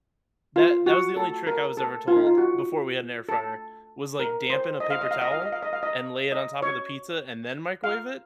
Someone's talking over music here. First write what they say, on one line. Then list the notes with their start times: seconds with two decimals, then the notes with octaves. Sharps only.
That that was the only trick I was ever told before we had an air fryer, was, like, dampen a paper towel, and lay it on top of the pizza, and then microwave it,
0.56 F4
0.86 F#4
1.16 A4
1.47 A#4
1.77 A4
2.08 F4
2.17 D#4
2.27 F4
2.38 F#4
3.29 A4
4.20 A#4
4.50 C5
4.80 D#5
4.90 F5
5.01 D#5
5.11 F5
5.22 D#5
5.31 F5
5.42 D#5
5.52 F5
5.63 D#5
5.73 F5
5.83 D#5
6.32 D#5
6.62 C#5
7.84 F5